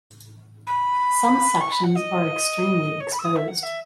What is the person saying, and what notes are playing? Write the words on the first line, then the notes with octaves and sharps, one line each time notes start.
Some sections are extremely exposed.
B5
C#6
B5
F#5
D#5
C#5
B5
E6
D#6
E5
F#5
E5